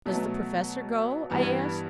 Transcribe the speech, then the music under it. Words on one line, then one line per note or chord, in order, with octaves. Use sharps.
"Does the professor go?" I asked.
B2 F#3 A3
G2 E3 B3